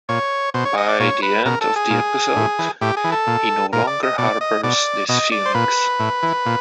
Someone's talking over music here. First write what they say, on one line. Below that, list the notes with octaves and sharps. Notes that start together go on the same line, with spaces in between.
By the end of the episode, he no longer harbors these feelings.
A#2 C#5
B2 C5
C#5
D#5
D5
A#2 C#5
B4
B2 A#4
A4
G#4
A#2
A2
E3
A2 G4
G#4
E3
A4
A#2
A#2 A#4
D5
D#5
B2 D5
D#5
B2 D5
B2 D#5
D5
C5
A#2 B4
A2
E3
A#2